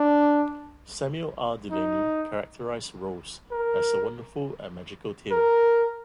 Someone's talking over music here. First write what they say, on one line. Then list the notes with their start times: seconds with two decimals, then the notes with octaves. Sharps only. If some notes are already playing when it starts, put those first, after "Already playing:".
Samuel R. Delany characterized "Rose" as a "wonderful and magical tale".
Already playing: D4
1.71 D#4
3.51 A#4
5.31 A#4